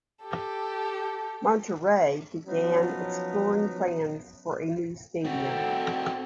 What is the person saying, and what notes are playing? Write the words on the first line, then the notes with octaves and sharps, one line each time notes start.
Monterrey began exploring plans for a new stadium.
G4 A4
F3 F#3 B3 C#4 D#4
C4 F#4 A4 G5